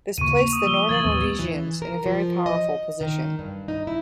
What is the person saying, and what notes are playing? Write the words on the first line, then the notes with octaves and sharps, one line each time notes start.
This placed the Northern Rhodesians in a very powerful position.
D#2 C#3 A#3 C#6 D#7
A#3 F7
D#6
F3 E6 G7
E3 F#3 G#6 A6 F#7
D#2 A2 A3 B3
E3
A#4
F3
D#5
D#3
G2
D#4
E4